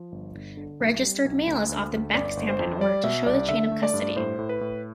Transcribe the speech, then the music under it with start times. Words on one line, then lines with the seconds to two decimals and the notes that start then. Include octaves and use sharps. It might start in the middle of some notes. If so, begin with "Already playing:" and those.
Registered mail is often backstamped in order to show the chain of custody.
Already playing: F3
0.12 G1
0.35 G1
0.57 D3
0.80 B1
1.02 G3
1.25 B1
1.47 D2
1.69 D2
1.92 D2
2.14 G1 D5
2.37 G1
2.49 C5
2.59 F2
2.81 G3 D5
3.03 B2 E5
3.26 C2 D5
3.49 D3 E5
3.72 A3
3.83 D5
3.94 G2
4.16 A2 C5
4.39 A2
4.49 B4
4.61 A2